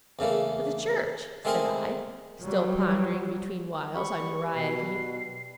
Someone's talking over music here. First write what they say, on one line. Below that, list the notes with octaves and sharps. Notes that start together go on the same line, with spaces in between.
'For the Church?' said I, still pondering, between whiles, on Uriah Heep.
E2 C#3 A3 A#3
G#3 A3 C4 G#4 A#4 D#5
F#3 G3
G3 B5 C#6
B2 C7